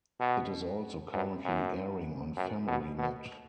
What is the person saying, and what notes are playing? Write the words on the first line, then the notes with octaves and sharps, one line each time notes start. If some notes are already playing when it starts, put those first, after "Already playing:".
It is also currently airing on Family Net.
B2
F#2
F#2
F#2
B2
B2